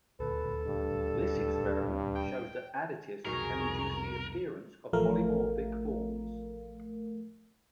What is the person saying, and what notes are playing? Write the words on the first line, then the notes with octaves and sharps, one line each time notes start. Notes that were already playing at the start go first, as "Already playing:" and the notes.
This experiment shows that additives can induce the appearance of polymorphic forms.
D#1 D2 A4 B4
G2
G5
C2 F2 B2 D#3 F#3 G#4 A#4 C#6
A1 F3 A3 A#4 F5